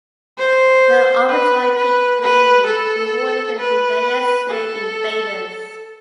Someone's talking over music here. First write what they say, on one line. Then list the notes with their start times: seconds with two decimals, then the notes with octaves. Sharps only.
The overjoyed king greatly rewarded the rebellious slave invaders.
0.38 C5
1.29 B4
1.75 B4
2.21 B4
2.67 A4
3.59 B4
4.50 A4